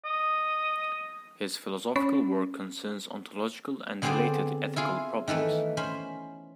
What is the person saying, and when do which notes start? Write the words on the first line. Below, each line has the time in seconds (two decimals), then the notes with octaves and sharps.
His philosophical work concerns ontological and related ethical problems.
0.05 D#5
1.96 C#4 B5
4.02 D3 B3 C4 G#4 C5 D5
4.76 E4 F4 G#4 F5
5.28 D#3 E3 A3 B4
5.77 C#4 C5 B5